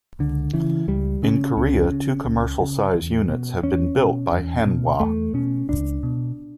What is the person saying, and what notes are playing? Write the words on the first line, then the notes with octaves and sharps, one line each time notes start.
In Korea two commercial size units have been built by Hanwha.
C#2 D3
C#3 E3
C#2 G3
C#3 C#4
C#2 C#4
C#3
C#2
C#3
E2
B2
E2 C#4
B2
E2
B2
E2 A3
B2 C#4
C#2 D4
B2